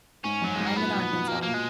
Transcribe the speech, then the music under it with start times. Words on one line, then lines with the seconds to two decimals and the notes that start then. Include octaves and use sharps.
I'm in Arkansas.
0.24 G#2 C#4
0.42 F#2 F#3
0.55 G#2 G#3
0.66 A#3
0.76 A#2 B3
0.93 B2
1.10 D#3
1.28 B2 A#3
1.43 A#2 A#3
1.54 G#3